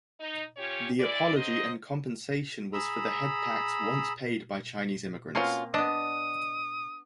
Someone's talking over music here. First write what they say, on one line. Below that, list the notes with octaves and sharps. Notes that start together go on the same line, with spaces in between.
The apology and compensation was for the head tax once paid by Chinese immigrants.
D#4
C#4 F4 G4 C#5
G#3 E4 D5
F#3 C5 D#5
G#4 A#5 B5 E6
B2 A#3 C4 C#4 F4
B3 D4 D5 D#5 D#6